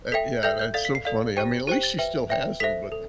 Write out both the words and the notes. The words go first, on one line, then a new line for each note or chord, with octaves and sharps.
Uh, yeah, that's so funny. I mean, at least she still has ‘em, but
A4 E5 G5 B6
A4 E5 G5 G6
G6
A4 D5 F5 A6
B6
C7
A4 D5 F5
G4 C5 G5
G4 C5 G5
A6
B4 E5 G5
B4 E5 G5
A4 C5 E5 B6
A4